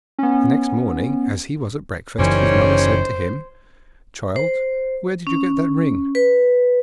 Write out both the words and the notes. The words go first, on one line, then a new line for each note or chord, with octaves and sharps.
The next morning, as he was at breakfast, his mother said to him, 'Child, where did you get that ring?'
B3 C#4
F#1 D#3 E3 G3 C#4 C5
C5
C#4
B4